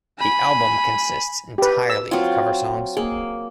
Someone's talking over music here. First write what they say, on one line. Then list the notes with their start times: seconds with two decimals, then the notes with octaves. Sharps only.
The album consists entirely of cover songs.
0.20 G#5 B5
1.58 G4 B4
1.90 E6
2.11 F#3 C4 F4
2.97 A#3 G#4